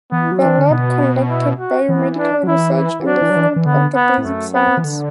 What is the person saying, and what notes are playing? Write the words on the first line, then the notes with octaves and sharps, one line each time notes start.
The lab conducts biomedical research in the fields of the basic sciences.
E3 B3
F#3
E3 D4
D3
B2 B3
E4
F#4
E3 B3
D4
F#3
E3 E4
E4
E3
F#3 D4
E3
F#3
E3
E3
D3 B3
B3
A2
F#2 A3
B3
E3
D3